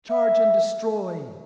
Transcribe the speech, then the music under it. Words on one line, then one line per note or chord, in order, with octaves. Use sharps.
Charge and destroy!
E5